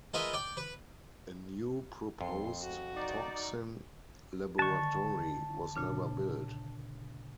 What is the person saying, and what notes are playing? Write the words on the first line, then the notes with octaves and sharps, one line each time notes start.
A new proposed toxin laboratory was never built.
G#3 F4 A#4 B4 D#5 E5
D5 G5
B4
F2 C6
F#4
D#4 D5
D3 D#3 A5 C#6
A#2 C#3 D4